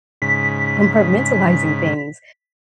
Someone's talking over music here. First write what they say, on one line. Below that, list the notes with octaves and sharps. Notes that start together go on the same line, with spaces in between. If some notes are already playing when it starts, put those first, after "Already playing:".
compartmentalizing things,
G#2 C#3 B6